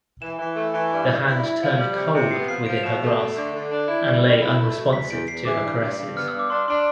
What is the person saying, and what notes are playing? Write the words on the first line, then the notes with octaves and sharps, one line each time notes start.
The hand turned cold within her grasp, and lay unresponsive to her caresses.
E3 E7
E3
A3
E3
G2
G2
E4
E4
F3
G3
C3
C3
B3 C7
F3 C7
F3 D7
F7
B2 E7
A3
A3
D3
D3
D4
E4
G3
D3
E4
A3
B2
E2 B6
E2 D7
E2 C7
E3 D6
G2
G2
G2
B3 F6
G2 E6
D6
D4 C6
D4 C6